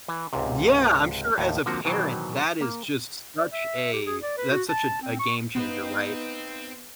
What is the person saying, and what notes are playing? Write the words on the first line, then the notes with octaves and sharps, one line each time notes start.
Yeah, I'm sure as a parent, that is just such a that's such a a game changer, right?
E3
C#2 G#2 C3
D#2 A2
D3 F3 A#3 C4 F#4
B2 D#3 E3 F#3 C5 G5
A#3
D5
E5
G4
G#4
D5
B4
F#4
A5
C4
C#6
B3 C4 D#4 B4 F5